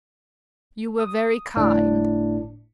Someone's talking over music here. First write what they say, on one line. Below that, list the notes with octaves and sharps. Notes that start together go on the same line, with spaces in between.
You were very kind.
D#6
G1 A2 D4